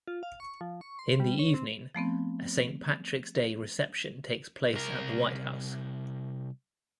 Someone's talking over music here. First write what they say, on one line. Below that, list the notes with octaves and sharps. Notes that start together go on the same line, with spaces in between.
In the evening, a Saint Patrick's Day Reception takes place at the White House.
F4
F5
C#6
F3
C#6
C6
G3
C#5
C4
F3 A3 B3 C4
C2 A#4